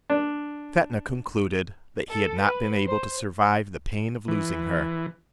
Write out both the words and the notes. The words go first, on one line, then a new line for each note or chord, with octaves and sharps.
Fetnah concluded, that he had not been able to survive the pain of losing her.
D4
A4
B4
C5
E3